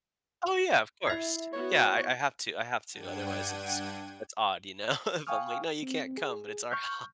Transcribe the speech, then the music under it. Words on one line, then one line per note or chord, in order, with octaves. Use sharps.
Oh, yeah, of course. Yeah, I I have to I have to, otherwise, it's it's odd, you know? If I'm like, “No, you can't come,” but it's our house.
E4 E5 G#6 C7
B3 F#4 C#5
G2 D4 F#5 G5 G#6 D#7
F5 G5 G#5 C#6 D#6 F6
C4
G#4
C#6 F6 G6